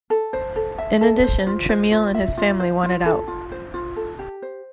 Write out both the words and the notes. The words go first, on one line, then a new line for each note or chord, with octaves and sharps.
In addition, Tramiel and his family wanted out.
A4
C5
A4
E5
A4
C5
F4
C5
F4
E5
F4
C5
F4
A4
F4
C5
F4
A4
G4
C5